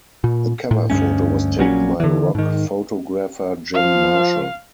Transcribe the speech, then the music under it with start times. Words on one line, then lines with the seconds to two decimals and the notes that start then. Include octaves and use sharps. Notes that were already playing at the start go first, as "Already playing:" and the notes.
The cover photo was taken by rock photographer Jim Marshall.
0.24 A#2
0.71 A2
0.90 D2 G2 A3 C#4
1.58 A#1 A#2 F#3 C#4
2.00 D3 E3
2.35 G#2 D#3
3.74 F3 F5